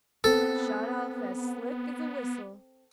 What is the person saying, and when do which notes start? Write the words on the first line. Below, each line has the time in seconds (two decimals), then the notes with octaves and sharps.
Shot off as slick as a whistle.
0.24 B3 C4 A4